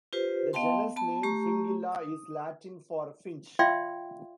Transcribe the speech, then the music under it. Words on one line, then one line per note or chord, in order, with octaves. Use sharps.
The genus name "Fringilla" is Latin for "finch".
F4 G4 B4 C5
B3 D#5 F5 G5 A5 C6
B3 A5 B5
A3 G4 A#5 C#6
D#6
F4 D5 E5 F5 G5 C6